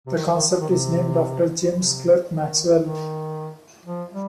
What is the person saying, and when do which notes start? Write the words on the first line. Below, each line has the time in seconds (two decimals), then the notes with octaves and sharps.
The concept is named after James Clerk Maxwell.
0.07 C3
0.15 D#3
0.33 D#3
0.51 F3
0.61 D#3
0.69 C3
1.74 C3
2.27 D#3
2.80 D#3
3.86 F3
4.12 G3